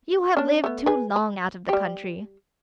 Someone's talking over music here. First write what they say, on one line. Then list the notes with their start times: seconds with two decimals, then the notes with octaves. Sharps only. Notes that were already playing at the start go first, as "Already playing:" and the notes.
You have lived too long out of the country.
0.37 C#4 D4
0.64 A3 B3
0.86 G#4 B4
1.16 B5
1.69 G3 G4